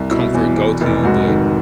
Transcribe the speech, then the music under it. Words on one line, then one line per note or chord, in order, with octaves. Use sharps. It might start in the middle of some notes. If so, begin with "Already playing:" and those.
comfort go to, but
Already playing: C2
B2 E4
E2
E2
F1
G#2 F#4
D#3